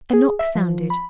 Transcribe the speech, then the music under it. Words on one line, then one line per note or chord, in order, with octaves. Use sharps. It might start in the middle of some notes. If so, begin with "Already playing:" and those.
A knock sounded.
G#4
E5
F3
B5